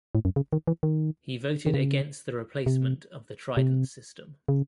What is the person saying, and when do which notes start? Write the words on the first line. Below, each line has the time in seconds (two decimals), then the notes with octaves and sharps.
He voted against the replacement of the Trident system.
0.15 A2
0.25 F#2
0.36 C#3
0.53 D#3
0.67 E3
0.83 D#3
1.66 D#3
1.74 C#3
2.66 C3
3.57 C3
4.49 C#3